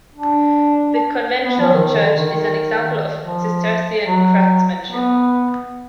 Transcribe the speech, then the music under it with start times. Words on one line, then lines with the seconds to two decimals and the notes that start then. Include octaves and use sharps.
The conventual church is an example of Cistercian craftsmanship.
0.15 D4
1.45 B3
1.60 F3
1.74 D#3
1.89 D#3
2.03 D3
2.17 D#3
2.32 D#3
3.18 F3
4.05 F#3
4.92 B3